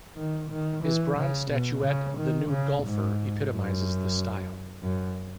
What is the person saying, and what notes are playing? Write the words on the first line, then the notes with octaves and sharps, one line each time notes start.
His bronze statuette "The Nude Golfer" epitomizes this style.
D#3
D#3
E3
C#3
B2
C#3
D#3
C#3
G#2
F#2
F#2